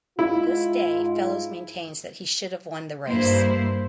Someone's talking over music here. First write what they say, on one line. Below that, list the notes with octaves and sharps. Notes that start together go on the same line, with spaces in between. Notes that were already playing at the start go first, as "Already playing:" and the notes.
To this day Fellows maintains that he should have won the race.
G#2 E4 F4
G2 A#3 E4 C5